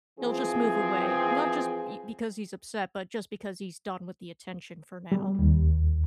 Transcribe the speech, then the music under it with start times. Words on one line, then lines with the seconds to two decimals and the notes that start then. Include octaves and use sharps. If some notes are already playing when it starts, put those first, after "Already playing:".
he'll just move away, not just b because he's upset, but just because he's done with the attention for now.
0.18 E3 F3 C4 G#4
5.12 G3
5.39 D#2